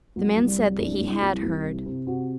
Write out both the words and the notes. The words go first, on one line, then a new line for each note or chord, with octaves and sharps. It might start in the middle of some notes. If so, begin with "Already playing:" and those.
The man said that he had heard.
C2 F#3
C2
G3
C2
C2 D4
C2
E4
C2
C2
C3
C3
C3 F#4